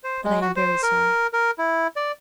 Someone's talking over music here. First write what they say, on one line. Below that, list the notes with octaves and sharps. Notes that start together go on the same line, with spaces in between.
But I am very sorry.'
C5
G#3
F#4
C5
A#4
A#4
E4
D5